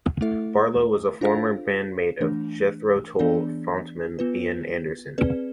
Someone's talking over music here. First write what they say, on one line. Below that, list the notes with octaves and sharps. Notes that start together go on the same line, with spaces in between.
Barlow was a former bandmate of Jethro Tull frontman Ian Anderson.
A3 E4 A4 E5
D4 F4 A4 C5 F5
E3 A3 D4
E3 B3 D4 G#4 D5
B3 F4 B4
C4 G#4 B4 D5